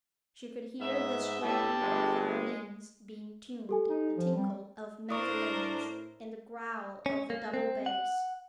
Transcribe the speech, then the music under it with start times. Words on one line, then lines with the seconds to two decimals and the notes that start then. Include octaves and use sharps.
She could hear the scraping of violins being tuned, the tinkle of mandolins, and the growl of a double bass.
0.80 G#2 B3 D#5 E5
1.43 A2 G4 A5
1.81 G1 G#3
3.69 G4 A4 G#5
3.89 D#4
4.17 F3
4.35 G3
5.10 A2 D4 E4 A#4 C5 C#6 D#6
7.06 C#4
7.30 A#3
7.54 C4
7.86 F#5